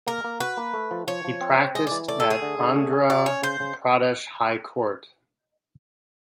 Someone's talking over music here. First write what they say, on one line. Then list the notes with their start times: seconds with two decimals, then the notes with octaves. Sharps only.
He practiced at Andhra Pradesh High Court.
0.07 A#3 A#4
0.24 A#3
0.40 F#4 B4
0.57 A#3
0.74 A3
0.91 F3
1.07 F3 C#5
1.25 F3
1.41 C4
1.58 C4
1.75 G#3 D#5
1.87 E3 D5
2.08 A3 D5
2.20 A4
2.25 A3
2.30 G#4
2.42 D3
2.59 D3
2.76 A3
2.93 C#4
3.09 F#4 D5
3.26 C#4 C#5
3.42 C#3 C5
3.60 C#3